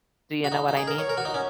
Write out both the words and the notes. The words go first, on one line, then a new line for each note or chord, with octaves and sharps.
Do you know what I mean?
F#4
D#4
D#4
G#4
A#4
C#5
A#4
F#4
D#4
C#4